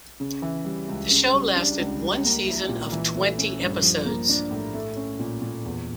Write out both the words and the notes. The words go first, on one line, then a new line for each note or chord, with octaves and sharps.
The show lasted one season of twenty episodes.
C#3
E3
G3
C#2
C#3
G3
D4
C#2
G3
A#3
E4
A#2
E3
A3
C#4
G2
F3
A#3
D4
A2
A3
C#4
A#2
A#2
E2